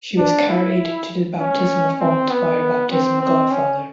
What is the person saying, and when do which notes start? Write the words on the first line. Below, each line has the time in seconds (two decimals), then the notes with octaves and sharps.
She was carried to the baptismal font by her baptismal godfather.
0.18 D4
0.49 E4
1.40 C#4
2.00 C4
2.30 B3
2.91 C4
3.21 C4
3.51 C#4